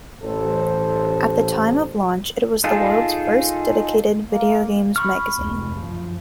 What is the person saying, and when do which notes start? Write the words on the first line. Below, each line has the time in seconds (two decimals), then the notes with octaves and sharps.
At the time of launch it was the world's first dedicated video games magazine.
0.24 A1 A4 C5
2.64 D#4 F4 G#4 A4
4.25 A#3
4.96 B5 C#6 F6
5.38 F1 C#2
5.75 F#2 F3